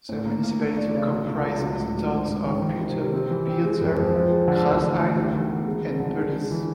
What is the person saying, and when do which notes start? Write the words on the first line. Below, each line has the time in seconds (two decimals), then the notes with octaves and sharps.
The municipality comprises the towns of Putte, Beerzel, Grasheide and Peulis.
0.09 A2
0.25 A#3
0.43 A#3
0.59 A3
0.77 D4
0.94 C#3
1.11 B2
1.27 C#2
1.44 C#2
1.61 F#3
1.77 A2
1.95 F#3
2.12 G#2
2.28 G#2
2.45 D#3
2.62 D#3
2.80 C3
2.97 G3
3.13 C4
3.30 E3
3.47 C4
3.64 G#3
3.81 F2
3.98 F2
4.14 F3
4.31 G#3
4.48 D3
4.65 D2
4.82 E3
5.00 A3
5.16 D#3
5.33 D#3
5.49 B3
5.66 G#3
5.83 F3
6.00 D3
6.17 G#3
6.33 G#3
6.51 E3